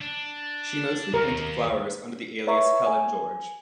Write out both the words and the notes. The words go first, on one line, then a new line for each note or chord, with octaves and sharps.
She mostly painted flowers under the alias Helen George.
D4
D#2 A#4
B4 C#5 E5 A#5 C#6
G#5